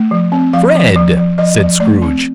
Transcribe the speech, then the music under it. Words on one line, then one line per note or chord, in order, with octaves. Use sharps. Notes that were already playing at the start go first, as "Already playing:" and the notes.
"Fred!" said Scrooge.
Already playing: A3
F3
C4
F3 F5
F3
F3
F3
F3 D#5
F3
A3 D5
C4